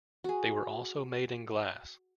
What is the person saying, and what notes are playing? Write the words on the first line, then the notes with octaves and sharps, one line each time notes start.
They were also made in glass.
F#4 G#4